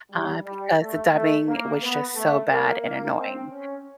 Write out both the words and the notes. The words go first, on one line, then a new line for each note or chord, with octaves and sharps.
uh, because the dubbing was just so bad and annoying.
G3
G3
A3
A3
A#3
B3
A3
A#3
A#3
C4
C#4